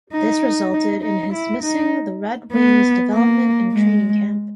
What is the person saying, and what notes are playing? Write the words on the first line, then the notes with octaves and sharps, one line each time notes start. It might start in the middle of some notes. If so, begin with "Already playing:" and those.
This resulted in his missing the Red Wings Development and Training Camp.
D#4
D#4
D#4
E4
D#4
B3
A#3
G#3